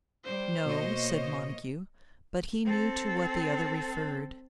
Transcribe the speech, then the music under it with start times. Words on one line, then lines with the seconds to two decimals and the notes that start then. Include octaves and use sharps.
"No," said Montague, but he knew to what the other referred.
0.25 G3 C5
0.66 B2 A#3 C#5 D#5
2.65 C4 A4